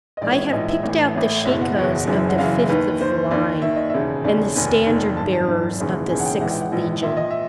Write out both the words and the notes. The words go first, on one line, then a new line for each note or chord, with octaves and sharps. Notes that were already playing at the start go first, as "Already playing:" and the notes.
I have picked out the shakos of the fifth of the line, and the standard-bearers of the sixth legion.
D#5
A#1 G#2 E3 D5
C#5
C#5
A#1 G#2 E3 D#5
E5
A1 A2 E3
A1 A2 E3
F#1 E2 B2 E5
F#5
F#1 E2 B2
F#1 F#2 C#3 E3
F#5
F#1 F#2 C#3 E3 F5
D#2 D#3 B4
D#2 D#3 C5
D#2 D#3 D5
D#2 D#3 E5
D#5
E1 D#2 C#3 E5
E1 D#2 C#3 D5
F1 D#2 D#3 G#5
F1 D#2 D#3
G#1 F#2 D#3 A5
A5
G#1 F#2 D#3
E1 D#2 C#3 E3
E1 D#2 C#3 E3 G#5
F#5
G5
A#1 G#2 E3 F#5
G5
F#5
A#1 G#2 E3
A#1 A#2 E5
D#5
E5